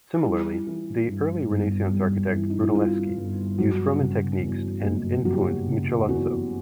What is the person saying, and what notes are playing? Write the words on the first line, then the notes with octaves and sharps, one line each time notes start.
Similarly, the early Renaissance architect Brunelleschi used Roman techniques and influenced Michelozzo.
G3 E4
E3
G2
G1
G3
E3
D#4
E4
G2 F4
G1
F#3 F#4
C#3
E2
F#1
F#3 F#4
G4
F#4
C#3
E2 F#4